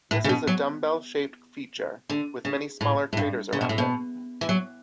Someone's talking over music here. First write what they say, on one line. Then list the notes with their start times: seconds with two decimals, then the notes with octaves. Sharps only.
This is a dumbbell-shaped feature, with many smaller craters around it.
0.11 A2
0.24 C#3
0.29 B2
0.47 F#3
2.10 D3
2.45 C#3
2.81 A2
3.13 A2
3.17 G2
3.53 C#3
3.61 B2
3.69 A2
3.78 B2
4.41 E3
4.49 F#3